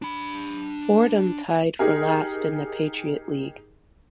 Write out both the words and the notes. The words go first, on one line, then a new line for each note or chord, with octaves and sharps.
Fordham tied for last in the Patriot League.
D4 B5
D#4 G4 G#4 A#4